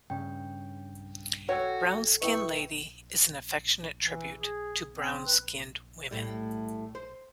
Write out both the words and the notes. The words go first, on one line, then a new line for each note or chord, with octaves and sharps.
"Brown-Skin Lady" is an affectionate tribute to brown-skinned women.
G2 C#3 G5
F#4 A4 C#5 F#5 G5 G#6
E4 B4 D#5 E5 G5 C#6
E3
G#4
C4
B4
A2 G3
C5